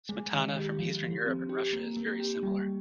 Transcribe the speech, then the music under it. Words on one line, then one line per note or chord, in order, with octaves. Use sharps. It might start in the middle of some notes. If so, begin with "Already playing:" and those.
"Smetana" from Eastern Europe and Russia is very similar.
G#3
D#3
G4
F3
F3
C4
G4
A#3
A#3
G4
G3